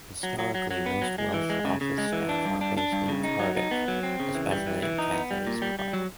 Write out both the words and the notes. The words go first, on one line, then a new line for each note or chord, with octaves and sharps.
Historically, most Welsh Office staff were based in Cardiff, especially in Cathays Park.
F#3
F#3
F#3
F#3
B3
F#3
G#3
E3
G#3
C#3
C#3
G#3
E3
D4
G2
D4
D4
G2
C#3
D#4
F#3
D#4
B3
F#3
C4
C#3
E3
G3
E3
E3
D#4
B3
G3
A#2
G3
G3
F#3